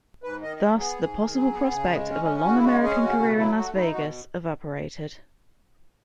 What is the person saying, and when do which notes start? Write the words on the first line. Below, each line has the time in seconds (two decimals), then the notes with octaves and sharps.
Thus the possible prospect of a long American career in Las Vegas evaporated.
0.23 G#2 B4
0.42 D#3 D#5
0.56 D#5
0.60 F#3 E5
0.79 B3 G#4
0.98 G#2
1.16 D#3
1.34 F#3
1.54 B3
1.72 C#3
1.91 G#3
2.09 C#4
2.27 C#3
2.45 C#3 F#4
2.56 E4
2.64 G#3 F#4
2.83 C#4 G#4
3.01 C#3 F#4
3.20 B2 F#4
3.38 F#3 E4
3.57 A3 F#4
3.75 D#4 E4
3.93 B2 F#4